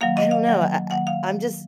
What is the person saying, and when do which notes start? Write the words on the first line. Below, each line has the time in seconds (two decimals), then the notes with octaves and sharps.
I don't know, I I I'm just
0.01 D#3 F#3 A#3 F5
0.17 D#5
0.31 F5
0.46 D#3 F#3 A#3
0.91 D#3 F#3 A#3 F#5
1.07 F5